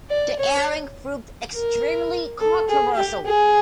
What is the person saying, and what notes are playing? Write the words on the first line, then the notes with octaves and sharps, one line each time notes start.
The airing proved extremely controversial.
D5
C#5
A#4
A4
G#4
G4
G#4